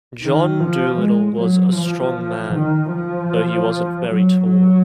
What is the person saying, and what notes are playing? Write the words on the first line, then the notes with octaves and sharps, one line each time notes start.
John Dolittle was a strong man, though he wasn’t very tall.
D#3
F3
G#3
F#3
F3
D#3
F3
F#3
F#3